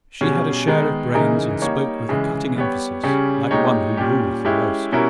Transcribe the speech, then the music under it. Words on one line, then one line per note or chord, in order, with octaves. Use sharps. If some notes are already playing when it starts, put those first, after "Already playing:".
She had a share of brains, and spoke with a cutting emphasis, like one who ruled the roast.
B2 G3 C#4 G#4
D#3 G#3 B3 D#4
C#3 E3 G#3 D#4 A#4
G3 A#3 D#4 G4 C#5
C#3 E3 G#3
G3 B3 G4 C#5
C#3 G3 C#4 G4
A#2 G#3 D#4 G4 C#5
A#2 G3 C#4 G4
G#3 C#4 E4 G4
B2 G3 C#4 E4 A#4